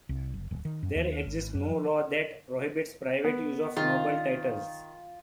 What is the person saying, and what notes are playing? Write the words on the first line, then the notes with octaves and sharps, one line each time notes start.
There exists no law that prohibits private use of noble titles.
C2
F#1
D1
D#3
F#2
D#2
G#1
F#2
F3
B3
D#3 F4